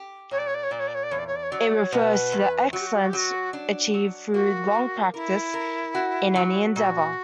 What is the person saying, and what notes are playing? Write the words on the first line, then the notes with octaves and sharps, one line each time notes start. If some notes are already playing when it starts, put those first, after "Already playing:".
It refers to excellence achieved through long practice in any endeavor.
Already playing: G4
A#2 C#5
D5
C#5
D5
C#5
A#2 D5
C#5
D5
C#5
D5
E2 C#5
D5
C#5
D5
C#5
F#3 D5
C#5
D5
C#5
B2 B4
E2
F#3 F#4
G4
F#4
G4
F#4
G4
F#3 F#4
D4
F#3
A#3 F#4
A#3
E4 A#4
A#4
F#4
F#3
A#2 F#4